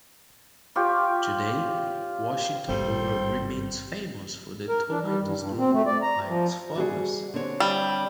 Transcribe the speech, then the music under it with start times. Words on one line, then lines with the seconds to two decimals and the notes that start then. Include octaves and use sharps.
Today, Washington Boro remains famous for the tomatoes grown by its farmers.
0.76 F4 G4 C#5
2.69 G#1 G2 G3 A4 C5
4.69 A#4
4.90 D4
5.03 G3
5.19 G2
5.37 G2
5.57 C4
5.72 A3
5.87 D5
6.02 A#5
6.27 F3
6.75 G3 F#4 G#4
7.34 D3 C4 C#5
7.60 G3